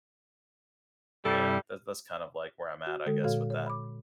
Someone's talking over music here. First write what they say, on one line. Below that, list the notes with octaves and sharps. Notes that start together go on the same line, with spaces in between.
yeah that that's kind of, like, where I'm at I guess with that.
G2 C3 G3 E4 A4
F#4
D3 G#3 A4
A#2 F#4 A4 C#5 F5
C#5
B5 D6